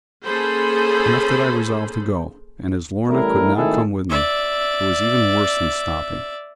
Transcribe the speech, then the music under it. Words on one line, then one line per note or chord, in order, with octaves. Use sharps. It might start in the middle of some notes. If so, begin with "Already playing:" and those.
Enough that I resolved to go; and as Lorna could not come with me, it was even worse than stopping.
A#3 C#4 G#4 A4 C5 B5
A1 G3 A3 E4 A#4
G#1 D#3 A3 E4 G#4 A4
D5 E5